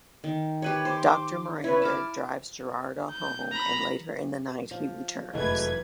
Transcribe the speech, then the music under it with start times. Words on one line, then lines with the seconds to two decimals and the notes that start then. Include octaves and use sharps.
Doctor Miranda drives Gerardo home and later in the night he returns.
0.24 D#3
0.62 G4 B4 C#5
0.85 C5 C6 D6
1.64 E4 B4 C#5
1.82 A5 D6 F6
3.11 G6
3.52 A#5 B5
4.71 F3
5.34 F1 F#2 E3 G#3 A3 B4 G#6